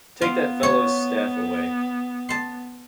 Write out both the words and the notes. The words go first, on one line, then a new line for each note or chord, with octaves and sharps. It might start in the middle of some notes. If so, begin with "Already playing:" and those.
Take that fellow’s staff away.
B3 F4
C#5
A5 C6